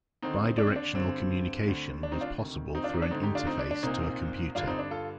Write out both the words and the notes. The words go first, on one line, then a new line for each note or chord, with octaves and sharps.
Bi-directional communication was possible through an interface to a computer.
D#2 D3 C4 D#4
D4
C4
D4
G2 D3 C4
D2 D3
D4
C4 D#4
D4 F4
D2 C3 D#3
C4 D#4
D4 F4
C4 D#4
D4
D2 D3 C4 D#4
D#4 G4
D4 F4
C4 D#4
D4
D4
C2 A#2 C4 D#4
G2 D3 D4 F4
C4 D#4
D4
F4 A4